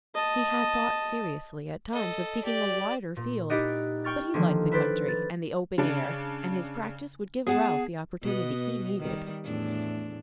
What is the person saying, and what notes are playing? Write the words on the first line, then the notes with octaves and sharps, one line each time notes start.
He had thought seriously, at times, of seeking a wider field, but he liked the country and the open air, and his practice would give Ralph the opportunity he needed.
D#5 A5
A4 D#5
G4 D5
A#2
D#4 E4 G4 D5 D#5 F#5
G5 C#6 F6 A6
D3 D#3 F3 A#3
E4 B4 C5 D5
A6
C#3 D4
B3 G#4 F#5 A5
B2 B3 D#5
D#3 G3
E2 A2 D4